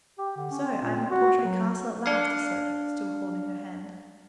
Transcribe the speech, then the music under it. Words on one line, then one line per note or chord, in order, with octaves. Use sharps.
"So I am at Portray Castle at last," he said, still holding her hand.
G4
D3
C#4
C4
A#2
C4
F#4
F#3
D4 F5